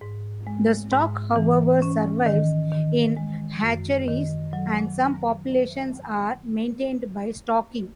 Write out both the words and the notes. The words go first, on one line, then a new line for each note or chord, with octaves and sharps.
The stock however survives in hatcheries and some populations are maintained by stocking.
G#2
G#3
G#2
E3
C#4
D#3
D#3
G#3
F#2
D#3
F#3